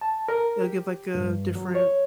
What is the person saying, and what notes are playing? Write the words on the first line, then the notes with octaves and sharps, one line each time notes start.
it'll give, like, a different,
A5
A#4
G4
G2
F#3
C#5